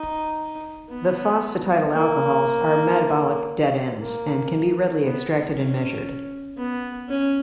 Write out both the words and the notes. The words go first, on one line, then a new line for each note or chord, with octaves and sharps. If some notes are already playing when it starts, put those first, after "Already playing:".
The phosphatidyl alcohols are metabolic dead-ends, and can be readily extracted and measured.
Already playing: D#4
B3
A#3
A#3
B3
C#4
B3
C#4